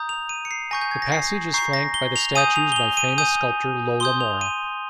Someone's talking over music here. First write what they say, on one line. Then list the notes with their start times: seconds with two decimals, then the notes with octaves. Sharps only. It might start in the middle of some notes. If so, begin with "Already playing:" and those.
The passage is flanked by statues by famous sculptor Lola Mora.
Already playing: A#5 D#6 G6
0.09 F7
0.29 D#7
0.45 C#7
0.51 C7
0.71 G#5 C#6 G6 A#6
0.81 G6
0.91 G#6
1.02 A#6
1.12 C7
1.54 A#5 C#6 G6 C7
1.73 A#6
1.94 G7
2.16 F7
2.35 G#5 D#6 G6 D#7
2.56 F7
2.72 G7
2.76 F7
2.97 D#7
3.18 G#5 D#6 G6 D#7
4.00 C6 D#6 G6 G7
4.20 F7
4.41 D#7